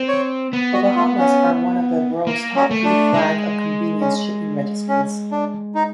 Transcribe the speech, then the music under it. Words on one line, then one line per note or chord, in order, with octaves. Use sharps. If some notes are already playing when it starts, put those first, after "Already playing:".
The Bahamas are one of the world's top three flag of convenience shipping registries.
Already playing: C4
C#5
B3
F#4
F4
C#4
A#3
C#4
A3
D4
G#3
C#4
C#4
D4
D#4